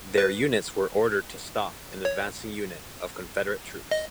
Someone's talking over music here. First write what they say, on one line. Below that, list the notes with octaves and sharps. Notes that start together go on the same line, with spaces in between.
Their units were ordered to stop an advancing unit of Confederate troops.
B4
C#5
D#5